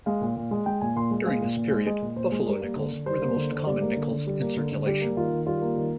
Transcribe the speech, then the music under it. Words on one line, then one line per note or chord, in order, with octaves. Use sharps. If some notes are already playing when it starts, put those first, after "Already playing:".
During this period, Buffalo nickels were the most common nickels in circulation.
G#3 F5
A#2
A#2
G#3
G#3 G5
A#2 G#5
A#2 C6
G#3
G#3 F5
A#2
A#2
G#3
G#3 D#5
A#2
A#2 C5
G#3
G3 A#4
A#3
D3
D3
G3 C5
A#3
D3
D3 C5
G3 D5
A#3
D3
D3
G3
A#3
D3
D3
G3 G4
A#3
D#3 F4
D#3
G3 F4
A#3
D#3